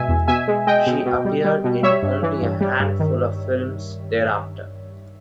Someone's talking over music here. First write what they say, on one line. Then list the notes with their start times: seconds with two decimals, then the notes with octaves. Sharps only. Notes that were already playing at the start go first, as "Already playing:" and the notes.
She appeared in only a handful of films thereafter.
Already playing: B2 G#3 E5 G#5
0.08 E2
0.28 B2 E5 G#5
0.48 G#3
0.67 G#3 D#5 G5
0.87 B2
1.06 B2
1.25 G3
1.44 G3
1.64 B2
1.83 G3 C#5 E5
2.02 G2
2.23 E3
2.42 G2
2.61 G3
2.80 G2
3.00 D#3